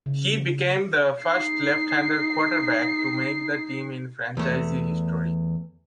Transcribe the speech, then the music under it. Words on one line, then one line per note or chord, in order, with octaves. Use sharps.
He became the first left hander quarterback to make the team in franchise history.
C#3
D#4 C7
E2 A3